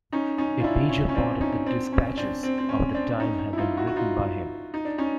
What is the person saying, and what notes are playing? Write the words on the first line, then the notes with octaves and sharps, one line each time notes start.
A major part of the dispatches of the time have been written by him.
C#4 D#4
C#4 D#4
F4
D4 E4
C#4
C#4
C4 D4
C#4 D#4
C4 D4
C#4
C4 D4
C4
C4
C#4
C4 D4
C#4 D#4
E4
D#4 F4
E4 F#4
F#4
D#4 F4
D#4
D4
C#4 D#4